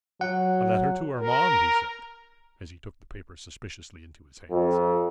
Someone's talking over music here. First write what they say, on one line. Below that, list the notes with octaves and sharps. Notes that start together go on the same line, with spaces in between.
'A letter to Urmand,' he said, as he took the paper suspiciously into his hands.
F#3 F#5
A#4
F2